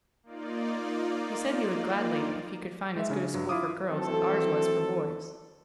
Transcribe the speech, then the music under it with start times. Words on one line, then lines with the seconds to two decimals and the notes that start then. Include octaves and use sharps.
He said he would gladly if he could find as good a school for girls as ours was for boys.
0.23 A#3 D#4 F4 D5
2.96 G#3 E5
3.10 C#3 C#4 D4
3.34 G2 F#3
3.49 E4 F4 F5 D6 D#6
3.91 E3 F#3 A3 C4 A4